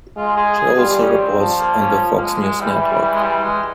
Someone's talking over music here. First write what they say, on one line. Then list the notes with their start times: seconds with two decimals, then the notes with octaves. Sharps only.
She also reports on the Fox News Network.
0.16 G#3 F4
0.37 G#4
0.58 G#4
0.77 G3 F4
0.98 C#4
1.19 C4
1.39 F3
1.60 A#3
1.80 C#4
2.17 A#3
2.20 G#3
2.41 G#3
2.61 E3 G3
2.82 G3
3.02 G3
3.14 G#3
3.23 G3
3.43 G#3